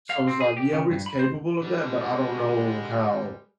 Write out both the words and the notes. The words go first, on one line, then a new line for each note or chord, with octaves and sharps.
so it's like, yeah, it's capable of that, but I don't know how
F5
C4
G#4
G4
C#3
G2
B5
C5
D3 G3 G#3